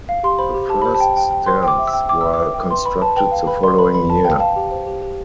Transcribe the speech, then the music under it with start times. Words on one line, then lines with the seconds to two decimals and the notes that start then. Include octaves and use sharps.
The first stands were constructed the following year.
0.09 F5
0.23 G4 C6
0.39 C5 B5
0.54 G4
0.69 G4 A5
0.82 C5 B5
0.95 A5
1.01 G5
1.17 G5
1.31 G5
1.46 C5 C6
1.63 G5 D6
1.78 E5
1.87 E6
1.93 G5
2.09 G5 D6
2.21 E5 E6
2.34 D6
2.39 B4
2.54 G5
2.70 B4 C6
2.85 B4 B5
3.01 B4 A5
3.16 B4 G5
3.31 F5
3.47 B4 B5
3.63 D5 C6
3.78 B4 B5
3.94 B4 B5
4.09 B4 A5
4.25 F5 G5
4.40 F5 A5
4.56 G4
4.71 C5
4.87 G4
5.02 G4